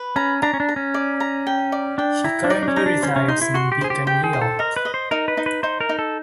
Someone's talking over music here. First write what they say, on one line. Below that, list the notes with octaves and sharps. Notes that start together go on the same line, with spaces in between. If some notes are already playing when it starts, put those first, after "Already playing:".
He currently resides in Beacon, New York.
Already playing: B4
C#4 A#5
D4 A#5
C#4
D4
A#5
C#4
D5
A#5
G5
D5
D4 G5
E4 A#5
D4
D#4 D5
D4
C#4
D#4 A#5
D4
C#4 C5
C#4
D#4 C6
E4
F#4 C6
G4
G#4 C5
G4
G4 G5
G#4
C5
A4
A#4 D#5
B4
D#5
C5
D#4 A#4
B4
D#4
B4
D#4 C5
A#4
D#4
A4